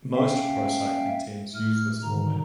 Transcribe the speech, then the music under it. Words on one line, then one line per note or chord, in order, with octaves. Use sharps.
Most pro-cycling teams use this format.
A#3 C#4 E5 F5 G5
A2 A3 F6
G#2 B2 D3 D#3 A#5